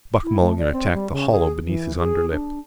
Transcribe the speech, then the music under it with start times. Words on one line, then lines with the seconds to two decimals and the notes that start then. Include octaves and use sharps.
Buck Mulligan attacked the hollow beneath his underlip.
0.24 E4
0.41 A3
0.59 D5
0.73 C4
0.94 G3
1.12 C#3
1.32 G#4
1.63 E3
1.99 G#4
2.32 D4